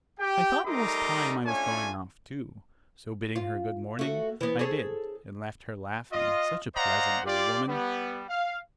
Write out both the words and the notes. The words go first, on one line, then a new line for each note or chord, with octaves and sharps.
I thought it was time I was going off too; so bidding her good morning, I did, and left her laughing--such a pleasant little woman!
G4 G5
G3 A3 D#4 A#4 C6 D6
A3 C#4 D4 F4 C#5 G#5
F4
A3 F#4
E3 B3
G#4 A4 C#5
F4 D#5
C5 D5 D#5 F5 F#5 A#5
F4 G4 D5
G3 B3
F5